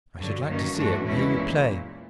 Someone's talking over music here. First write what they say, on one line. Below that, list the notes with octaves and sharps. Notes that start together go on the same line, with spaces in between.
"I should like to see it, and hear you play."
G2 D3 F#3
G2 D#3 F#3 A#3 C#4
G2 E3 A3 D4 F#4
E2 B2 G#3 C#4 E4
A#2